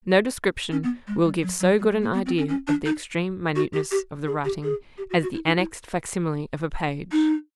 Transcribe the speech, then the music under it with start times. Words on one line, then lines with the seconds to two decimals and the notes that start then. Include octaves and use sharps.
No description will give so good an idea of the extreme minuteness of the writing as the annexed facsimile of a page.
0.72 C#4
0.83 B3
1.07 G#3
1.24 G3
1.43 F#3
1.60 F#3
1.79 G3
1.91 G#3
2.02 A#3
2.13 B3
2.26 C4
2.38 C#4
2.49 C#4
2.67 D4
2.85 D#4
3.56 F#4
3.73 G4
3.91 G4
4.27 G#4
4.45 G4
4.63 G#4
4.98 G4
5.10 F#4
5.23 F#4
5.34 E4
5.45 D#4
5.58 E4
7.12 D#4